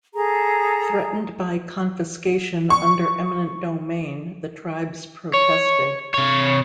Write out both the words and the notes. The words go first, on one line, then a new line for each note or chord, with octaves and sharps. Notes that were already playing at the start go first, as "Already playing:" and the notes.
Threatened by confiscation under eminent domain the tribes protested.
G#4 A4 A#5
C#6
C#5
C3 C#5